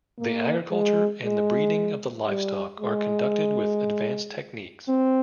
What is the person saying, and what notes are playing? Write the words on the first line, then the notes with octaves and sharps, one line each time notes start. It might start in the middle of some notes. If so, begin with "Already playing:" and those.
The agriculture and the breeding of the livestock are conducted with advanced techniques.
A#3
G#3
G#3
G3
G#3
C4